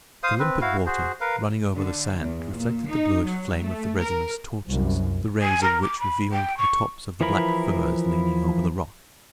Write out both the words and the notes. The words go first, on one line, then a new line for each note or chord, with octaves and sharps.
The limpid water, running over the sand, reflected the bluish flame of the resinous torches, the rays of which revealed the tops of the black firs leaning over the rock.
C5 F5 D#6
C4 B4
E4 F#4 F5
F#4 G#4 C5
A#4 B4 F5
D3
E2
A#2
D#4
F#3
A3
A#4
C2 F#2
G#5
A#4
D6
B5
G5
C#6
E3 F3 E4 A#4 B5